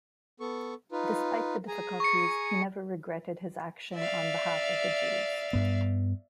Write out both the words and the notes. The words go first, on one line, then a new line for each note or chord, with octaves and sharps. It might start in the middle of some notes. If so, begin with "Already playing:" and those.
Despite the difficulties, he never regretted his action on behalf of the Jews.
B3 A4 C#6
D#4 F4 B4
G#4 G#5 A#5
C#6 C#7
D5 E5 F5
G2 B3